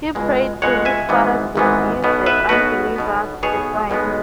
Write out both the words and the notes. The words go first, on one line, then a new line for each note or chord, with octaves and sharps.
He prayed to his father to give the unbelievers a sign.
C#2 B2 G#3
C#2 B2 G#3 C#5 F#5
E5 G#5
G#1 G#2 E3 B3
G#1 G#2 E3 B3
B1 B2 B3
B4 E5
B1 B2 B3 F#4 B4
B1 B2 B3
B1 B2 B3 G#4 C#5
B1 B2 G#3 B3